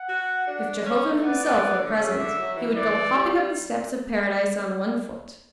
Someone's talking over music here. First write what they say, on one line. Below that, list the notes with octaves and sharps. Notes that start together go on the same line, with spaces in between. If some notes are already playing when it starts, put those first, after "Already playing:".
If Jehovah himself were present, he would go hopping up the steps of paradise on one foot.
Already playing: F#5
F#4
D4
C#4
A3
B3 D5
B3
B3
D3
C#3 E5
D3
F#3
E3
E3 D5
G3